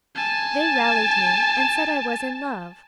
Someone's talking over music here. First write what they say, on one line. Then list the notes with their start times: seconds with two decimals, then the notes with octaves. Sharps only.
They rallied me, and said I was in love.
0.15 G#5 A5